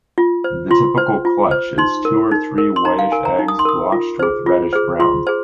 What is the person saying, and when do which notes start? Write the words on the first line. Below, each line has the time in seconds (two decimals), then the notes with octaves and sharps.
The typical clutch is two or three whitish eggs blotched with reddish brown.
0.18 F4
0.44 C5
0.71 F4 C6
0.98 C5
1.25 F4
1.51 C5
1.78 D#4 C6
2.05 A#4
2.31 D#4
2.58 A#4
2.76 C6
2.85 D#4 A#5
2.99 F5
3.12 A#4 G#5
3.25 A#5
3.39 D#4
3.48 D#6
3.59 C6
3.65 A#4 D#6
3.92 F4
4.19 G#4 C5
4.46 F4
4.73 G#4 C5
4.99 F4 C6
5.27 G#4 C5